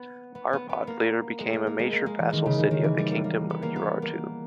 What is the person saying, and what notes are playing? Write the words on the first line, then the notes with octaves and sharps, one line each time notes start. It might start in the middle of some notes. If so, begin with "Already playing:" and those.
Arpad later became a major vassal city of the Kingdom of Urartu.
Already playing: B3
B3
B3
B3
A#3
G#3
A#3
A#3
G#3
A#3
G#3
E3
D#3
C#3
D#3
D#3
E3
G3
A#3
A#3
B3
A#3
B3
A#3